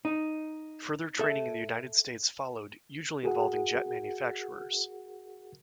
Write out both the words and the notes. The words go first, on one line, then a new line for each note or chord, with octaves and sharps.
Further training in the United States followed, usually involving jet manufacturers.
D#4
A4 E5
F#4 G#4 A#4 F#5